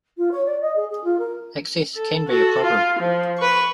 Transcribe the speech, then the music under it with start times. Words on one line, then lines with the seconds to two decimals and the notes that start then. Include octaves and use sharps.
Access can be a problem.
0.17 F4
0.31 C#5
0.46 D5
0.61 D#5
0.75 G#4
0.90 G#4
1.04 F4
1.18 A#4
1.95 A4
2.28 F#4 A4
2.62 F4
2.99 F3
3.38 B4 C#6